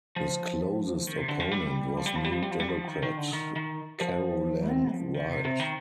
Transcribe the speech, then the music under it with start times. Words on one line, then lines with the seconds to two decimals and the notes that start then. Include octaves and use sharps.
His closest opponent was New Democrat Carolann Wright.
0.16 F3
1.07 D#3
1.17 C3
1.29 D3
1.40 F3
1.51 G3
1.97 F3
2.06 G3
2.15 F3
2.24 G3
2.32 F3
2.42 G3
2.51 F3
2.60 G3
2.69 F3
2.88 D#3
3.03 D#3
3.18 D3
3.33 D#3
3.56 D#3
4.01 F3
4.69 C4
4.92 F3
5.14 D#3
5.29 C3
5.45 C3
5.60 D#3